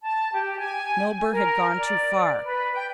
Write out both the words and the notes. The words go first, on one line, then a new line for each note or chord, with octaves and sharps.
Milburgh had gone too far.
A5
G4
G#5
A#4
D5
B4
G5